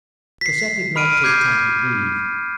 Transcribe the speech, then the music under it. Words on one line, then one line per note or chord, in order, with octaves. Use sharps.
Cosette did not take time to breathe.
B6 C7
B5 F6 D7 D#7
D6 G6 G#6 C7